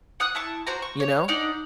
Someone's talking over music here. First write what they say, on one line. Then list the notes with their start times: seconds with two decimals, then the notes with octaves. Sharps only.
You know?
0.20 F#5 D#6 F#6
0.35 E4 A5 C#6
0.67 F#4 C5 A#5
0.82 C#6
1.00 C#5
1.28 D4 D#4 D5 F#5